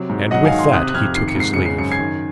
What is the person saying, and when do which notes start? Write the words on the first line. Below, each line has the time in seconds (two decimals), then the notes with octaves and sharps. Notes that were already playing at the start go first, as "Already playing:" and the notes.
And with that he took his leave.
Already playing: C3 F#3
0.09 G#2
0.31 F#3 D#5 F#5
0.45 F5 G#5
0.51 D#3
0.58 G#5 C6
0.73 C3 D#6 F#6
0.89 F#6
0.94 F2 F6 G#6
1.15 D#3 C7
1.28 C#7
1.35 G#2 C7
1.54 C#3 C#7
1.66 C7
1.78 F#2 C#7
1.92 G#6 C7
1.99 D#3